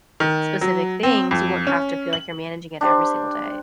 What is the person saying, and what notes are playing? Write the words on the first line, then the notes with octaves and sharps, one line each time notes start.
specific things, you won't have to feel like you're managing it every single day.
D#3
F#3
C4
F2
C#4
F#7
D4 G4 C5